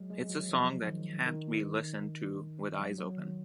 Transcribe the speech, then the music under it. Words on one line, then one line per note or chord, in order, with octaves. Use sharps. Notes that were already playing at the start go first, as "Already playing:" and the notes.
It's a song that can't be listened to with eyes open.
Already playing: F#3 G#3
G#3
F#3
F3
D#3
D#3
F#3
F#3
D#3